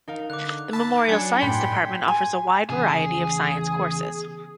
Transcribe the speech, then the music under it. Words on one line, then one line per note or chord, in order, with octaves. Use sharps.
The Memorial Science Department offers a wide variety of science courses.
D#4 A#4 F5
D3 D6 F#6
A5 B5 E6
F#3 D4 G#5 G#6 C#7
G1 A2 G5 B5 C6
G#5
E2 G2 C#3 G#4